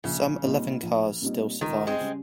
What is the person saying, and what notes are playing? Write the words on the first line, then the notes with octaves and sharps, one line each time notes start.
Some eleven cars still survive.
A#1 C#3
A#2 G3 C4 D#4
A#1
A#2 G3 C4 D#4
C#2 D#3
G#3 C4
C#3 G3 C#4